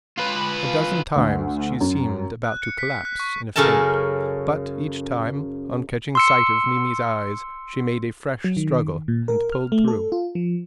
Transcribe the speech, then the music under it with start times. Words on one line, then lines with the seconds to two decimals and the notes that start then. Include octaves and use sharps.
A dozen times she seemed about to collapse in a faint, but each time, on catching sight of Mimi's eyes, she made a fresh struggle and pulled through.
0.18 F4 B4
1.16 D2
1.81 F#2
2.44 F#6
2.62 C#7
2.78 B6
3.05 F#6
3.20 C#6
3.56 F#2 C#3 C#4 A4 A#4 A5
6.15 C6 E6 C#7
8.44 F#3
8.57 D#3
9.08 A#2
9.28 A#4
9.52 F6
9.72 A3
9.88 A4
10.12 F4
10.35 F3